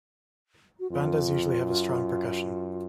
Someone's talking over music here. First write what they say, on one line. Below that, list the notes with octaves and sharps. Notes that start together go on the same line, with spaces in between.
Bandas usually have a strong percussion.
F#4
F2 F4
F#2